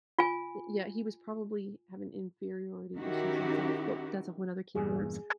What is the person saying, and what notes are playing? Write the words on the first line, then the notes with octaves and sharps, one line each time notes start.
Y yeah, he was probably having inferiority issues himself, but that's a whole another can of worms.
F4 G#5
D#3 C#4 E4 F#4 G4
E2 G2 A#2 G#4